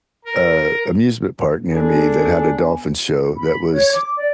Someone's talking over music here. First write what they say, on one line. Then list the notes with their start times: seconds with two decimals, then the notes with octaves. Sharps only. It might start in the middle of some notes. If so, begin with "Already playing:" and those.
uh, amusement park near me that had a dolphin show that was,
0.25 A#4
1.72 B3 D4 G#4 A4 G#5
3.35 B5
3.71 C#5
3.92 D6
4.17 D5